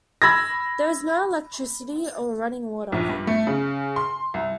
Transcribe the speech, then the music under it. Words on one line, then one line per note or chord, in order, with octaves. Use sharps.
There is no electricity or running water.
B5 E6 G#6 A#6
A#1
G2
A3
C#3
C6
C2